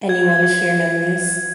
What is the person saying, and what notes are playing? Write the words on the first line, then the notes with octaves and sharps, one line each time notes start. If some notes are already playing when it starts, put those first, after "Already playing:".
anyone to share memories.
G#6